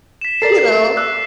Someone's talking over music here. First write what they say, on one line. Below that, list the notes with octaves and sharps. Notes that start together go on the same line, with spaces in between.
You know?
B6 E7
A4 A#4 D5 A6 C7
D6 E6 F#6